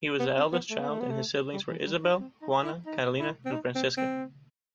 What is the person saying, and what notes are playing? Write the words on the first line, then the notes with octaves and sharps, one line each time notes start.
He was the eldest child and his siblings were Isabel, Juana, Catalina and Francisca.
B3
C4
B3
A3
B3
A3
B3
A3
G3
E3
G3
D#4
C4
D#4
E4
D#4
E4
C4
D#4
C4
C4